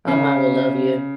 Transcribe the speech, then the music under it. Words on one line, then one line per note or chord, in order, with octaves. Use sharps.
My mom will love you.
C#3